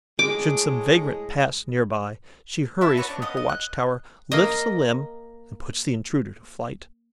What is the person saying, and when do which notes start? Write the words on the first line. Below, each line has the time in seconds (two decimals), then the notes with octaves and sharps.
Should some vagrant pass near by, she hurries from her watch-tower, lifts a limb and puts the intruder to flight.
0.19 A2 G#3 D6
2.81 E4 E5 A5 B5
2.97 F#4 B4 C#5 C#6
3.09 D4
3.22 B3 D#5 F5 D#6
3.37 D#5
3.49 F#6
4.32 A#3 D#5